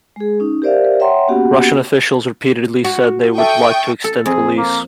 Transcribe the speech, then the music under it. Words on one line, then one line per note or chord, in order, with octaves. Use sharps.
Russian officials repeatedly said they would like to extend the lease.
G#3 G#4
C#4 D#4
G4 A#4 C5 D5 E5 F5
C#5 E5 F#5 G5 A#5 C6
A#3 B3 C#4 F#4 G4 F#5
F#4
A4 E5 G5 C#6 D#6
A4
F2 G#4
A#3